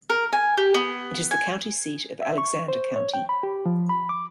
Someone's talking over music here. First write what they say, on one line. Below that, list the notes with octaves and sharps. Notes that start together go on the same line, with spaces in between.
It is the county seat of Alexander County.
A#4
G#5
G4
B3
G#5
E5
C#6
C5
C#5
G5
B5
G4
F3
B5
D6